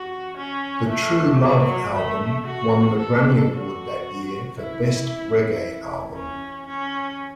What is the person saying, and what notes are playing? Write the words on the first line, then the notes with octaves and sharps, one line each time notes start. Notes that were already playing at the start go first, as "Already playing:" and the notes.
The True Love album won the Grammy Award that year for best reggae album.
Already playing: F#4
C#4
A3
F#3
A3
F#4
A4
F#4
E4
C#4
C#4